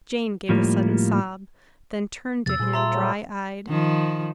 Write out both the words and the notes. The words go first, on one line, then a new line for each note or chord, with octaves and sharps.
Jane gave a sudden sob; then turned to him, dry-eyed.
A2 F3 G3 A#3
E2 C3 F3 E6 A6
A#2 G3 G#4 B4 C5
F3 B4 E5 A#5 C6 E6
F3 F#3 A3
D#3 F3